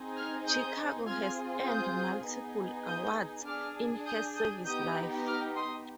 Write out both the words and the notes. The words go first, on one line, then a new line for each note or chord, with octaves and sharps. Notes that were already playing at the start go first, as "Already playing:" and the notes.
"Chicago" has earned multiple awards in her service life.
Already playing: C4 D#4 G#4
F6 G#6
D#6 G6
C4 F4 G#4 F6 G#6
D#6 G6
B3 D#4 G#4
D#6 G6
D4 G#4 D6 F6
D#6 G6
D#6 G6
B3 D#4 G4 D#6 G6
D6 F6
C6 D#6